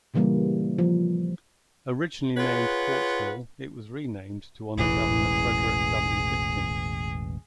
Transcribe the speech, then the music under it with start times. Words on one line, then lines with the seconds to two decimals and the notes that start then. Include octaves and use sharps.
Originally named Quartzville, it was renamed to honor Governor Frederick W. Pitkin.
0.14 A#2 C#3 E3 G3 A#3
0.79 F3
2.37 F4 G#4 B4 C#5 F#5
4.78 E1 A1 E3 G#4